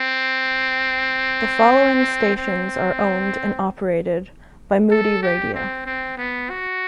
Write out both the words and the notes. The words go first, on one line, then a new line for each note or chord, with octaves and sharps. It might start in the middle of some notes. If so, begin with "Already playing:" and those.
The following stations are owned and operated by Moody Radio.
Already playing: C4
C4
A4
G4
C4
C4
B3
F#4